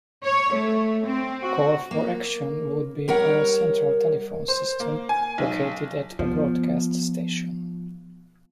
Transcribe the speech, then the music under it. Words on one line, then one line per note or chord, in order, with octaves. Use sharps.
Call For Action would be a central telephone system located at a broadcast station.
C#5
A3
C4
F#4
A#3
G3 A#4 C#5 F#5
C5
A#3
G#5
B1
F3 B3